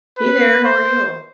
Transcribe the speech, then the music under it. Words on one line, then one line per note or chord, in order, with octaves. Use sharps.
Hey there, how are you?
B4
C5